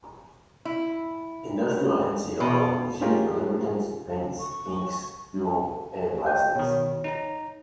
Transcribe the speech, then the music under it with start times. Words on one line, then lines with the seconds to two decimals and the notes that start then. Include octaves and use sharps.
Industrial hempseed oil is used in lubricants, paints, inks, fuel, and plastics.
0.65 E4
2.40 B2
3.01 C#4 D#4 F4 G4 G#4 A#4
4.40 C#6
6.26 D#5 G5 G6
6.56 B2 D#3 C#5
7.04 D#4 A#5